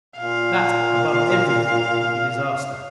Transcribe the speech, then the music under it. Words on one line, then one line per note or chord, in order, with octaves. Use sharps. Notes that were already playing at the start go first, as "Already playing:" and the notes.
That above everything, would be disaster.
A#2 F5